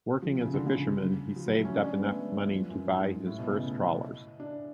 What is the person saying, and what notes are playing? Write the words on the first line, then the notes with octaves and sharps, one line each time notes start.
Working as a fisherman, he saved up enough money to buy his first trawlers.
F3
C#3
D3
C#3
F3
F#3
A3
C#4
D4
C#4
B3
A3
G#3
F3
F#2
G#2
A2
B2
C#3
A3
D4